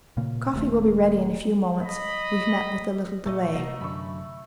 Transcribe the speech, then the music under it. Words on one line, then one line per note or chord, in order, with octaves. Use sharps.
"Coffee will be ready in a few moments. We've met with a little delay."
A#2 C#3 A#3
D#1 D#2 A3
D#5 B5
A#2 F3 A3 D5 D#5
C3 A#3 D#4 F#4
F#2 D3 B5 C#6